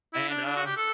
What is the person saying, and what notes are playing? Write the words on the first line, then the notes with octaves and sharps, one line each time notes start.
And, uh
E4
D4
D4
F#4
G4
A4